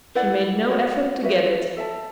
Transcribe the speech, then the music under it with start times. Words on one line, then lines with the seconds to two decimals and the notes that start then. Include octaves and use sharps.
She made no effort to get it.
0.15 E4 B4 D5 F#5
0.69 F#4 C#5 F#5
1.23 F#4 B4 E5
1.77 A4 E5 A5